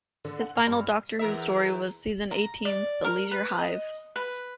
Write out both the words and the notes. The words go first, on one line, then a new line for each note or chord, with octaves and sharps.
His final "Doctor Who" story was season eighteen's "The Leisure Hive".
D3
F#5
A#2
G2
F6
E2 A#4 E5
A#5
D5
A#4
B4
D#5
B4